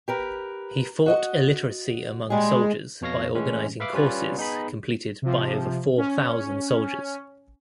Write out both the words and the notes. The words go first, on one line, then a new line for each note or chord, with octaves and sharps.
He fought illiteracy among soldiers by organizing courses completed by over four thousand soldiers.
G4 A#4 B4
F#4 D#5 F#5
A#2 G3 G#3 G#4
F2 B2 C#5 F5 A#6
A2 E3 G#3 C#4
B4 E5 F5 B5 D6
G3 C#4 F4 B4 C#5 D5
B3 D#4 G#4 B5
C3 F3
C#4